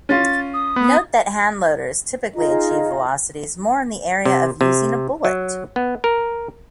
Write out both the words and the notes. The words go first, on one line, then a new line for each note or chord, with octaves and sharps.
Note that handloaders typically achieve velocities more in the area of using a bullet.
C#4 F4 A6
D#6
B3
D#4 F4 G#4 D#5
C3
C3
F#3
B3
A#4